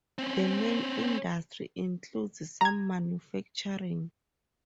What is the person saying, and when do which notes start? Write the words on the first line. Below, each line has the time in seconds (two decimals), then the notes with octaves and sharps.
The main industry includes some manufacturing.
0.18 C4 C#4
2.61 A#5 G#6